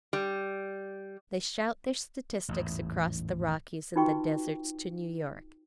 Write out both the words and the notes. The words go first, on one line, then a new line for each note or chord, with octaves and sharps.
They shout their statistics across the Rockies and the deserts to New York.
G3
A1 E2 G#2
D#4 F4 F#4 B4 G5 C#6